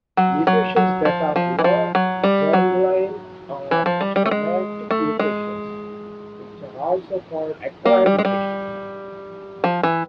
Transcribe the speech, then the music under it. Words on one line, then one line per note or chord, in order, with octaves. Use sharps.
Mutations that are not "germline" are somatic mutations, which are also called "acquired mutations".
F#3
F#3
F#3
F3
F3
E3
F3
F#3
G3
F#3
E3
F3
G3
G3
A3
G#3
A3
G#3
A#3
G3
G#3
G3
F3
E3